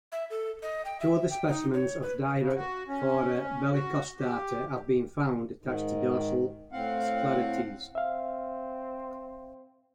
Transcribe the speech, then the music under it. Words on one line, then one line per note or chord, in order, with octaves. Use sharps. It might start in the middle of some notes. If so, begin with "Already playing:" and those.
Two other specimens of "Diraphora bellicostata" have been found attached to dorsal sclerites.
E5
A4
D#5
G5
E5
G5
D#4
C#5
B4
C#3
F#4
C#4
F#4
G4
G#2 D#3
A2 C4 F5 F#5
C4 E5 F5